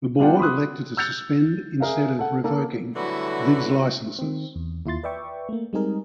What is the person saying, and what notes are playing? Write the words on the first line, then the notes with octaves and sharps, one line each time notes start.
The board elected to suspend instead of revoking these licenses.
G3 B3 D4 F4 F#5 G5
B5 C6 D6 D#6 F#6
E6 F#6 G6 A6 C#7 F7
G#4 A#4 E5 F5
A4 F#5
A#3 A4
D3 E3 F#3 G3 A3 F#4 B4
D#3 C4
E2
D#2 E4 F4 C6 A6
B4 D5 E5 G5 C#6
A3 A#3
G3 G#3 C4 D#4 G#4 A#4